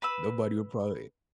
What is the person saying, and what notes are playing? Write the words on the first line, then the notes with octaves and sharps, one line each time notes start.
Nobody will probably
B4 B5 E6